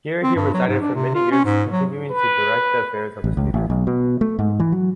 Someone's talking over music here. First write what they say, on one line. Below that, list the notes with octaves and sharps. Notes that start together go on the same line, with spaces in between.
Here he resided for many years continuing to direct the affairs of his theatre.
C4
G2
F#3
G#2
D4
C3
F4
C#4
G#2
F#3
B4
A1
C#2
A1
B1
B2
A3
G#2
E3
F#3